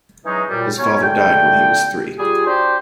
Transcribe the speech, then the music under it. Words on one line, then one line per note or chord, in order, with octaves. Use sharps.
His father died when he was three.
E3 F#3 G#3 C#4 D#4
F#2 A#2 G3
F#3 B3 C#4
D3 A3 G5
G3 F4 G#4
D4 F#4 G4 C5